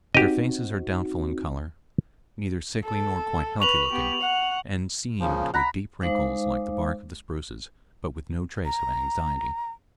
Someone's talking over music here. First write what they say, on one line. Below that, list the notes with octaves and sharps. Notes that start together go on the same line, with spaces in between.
Their faces are doubtful in color, neither sickly nor quite healthy-looking, and seamed with deep wrinkles like the bark of the spruces, but with no trace of anxiety.
C4 D#4 F#4 G4 D#5
A4
B4 C#6 F7 F#7
B3 G4
F#5
A#2 C#3 F3
F#5 A#5 B5
G#3 D#4 C5 F5 D6
A#5